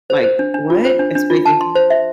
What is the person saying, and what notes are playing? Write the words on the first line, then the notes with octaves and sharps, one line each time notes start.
like, "What? That's crazy,"
C5
C5
D4
D4
F4
C5
D4
D4
F4
A5
C6
C5
E5